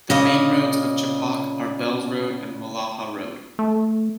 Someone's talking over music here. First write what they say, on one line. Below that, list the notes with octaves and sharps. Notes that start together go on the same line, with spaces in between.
The main roads of Chepauk are Bells Road and Walajah Road.
A#2 C#3 D#5
A3